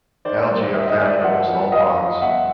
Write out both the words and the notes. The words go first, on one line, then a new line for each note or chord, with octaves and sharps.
Algae are found in almost all ponds.
D#3 C5 D5
G3
D#3 E5
D#5
D#3 D5 E5
F3 E5 F#5
F3
F3 D#5 F5
F3
G1 E5 F#5